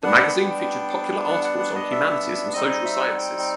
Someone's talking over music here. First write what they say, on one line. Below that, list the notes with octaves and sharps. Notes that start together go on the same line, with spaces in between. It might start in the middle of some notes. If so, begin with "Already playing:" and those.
The magazine featured popular articles on humanities and social sciences.
G3 B3 D4 F#5
G5
F#5
F#5
F#5
D#5
E5
G3 C4 D#4 D#5
D#5
E5
F#5
G5
G5